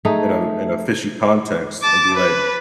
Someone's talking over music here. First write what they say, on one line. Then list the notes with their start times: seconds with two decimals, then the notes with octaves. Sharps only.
in a in a fishy context and be, like,
0.05 A3 D#4 G#4
1.83 A5 D6
2.15 B4